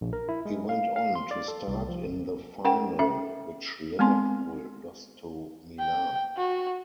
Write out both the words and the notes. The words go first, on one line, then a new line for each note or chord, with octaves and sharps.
He went on to start in the final, which Liverpool lost to Milan.
A#1
A#4
E4
G#3
F5
F5
C6
D5
A4
C2
F3
G1
C#4 A#4 F#5 G5
C#4 A4 E5
G#3 B3 C4 G#5 C6
G5
F#4